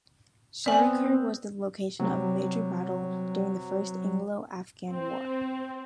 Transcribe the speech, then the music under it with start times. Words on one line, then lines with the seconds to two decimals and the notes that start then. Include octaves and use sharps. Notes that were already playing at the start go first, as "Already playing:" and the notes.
Charikar was the location of major battle during the First Anglo-Afghan War.
0.66 B3 C4 D5 G#5
1.99 C3 F#3 G3
4.90 C4